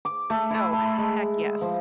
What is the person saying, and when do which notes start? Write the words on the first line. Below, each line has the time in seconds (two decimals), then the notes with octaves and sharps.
Oh, heck yes.
0.05 D6
0.30 A3
0.50 E4
0.73 A3
0.98 G#3
1.61 F3